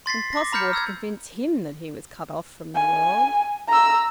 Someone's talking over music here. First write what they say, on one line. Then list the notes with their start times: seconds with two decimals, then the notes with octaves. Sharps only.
Impossible to convince him that he was cut off from the world!
0.06 C6 A6 B6 C7
0.33 D6 A#6
0.52 A#5 B5 F6 G6 C#7
0.73 E6 G6 G#6
2.75 G#5
3.69 A#5 E6